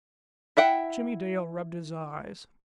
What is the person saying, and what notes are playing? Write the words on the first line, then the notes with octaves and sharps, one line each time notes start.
Jimmie Dale rubbed his eyes.
E4 E5 F#5 G5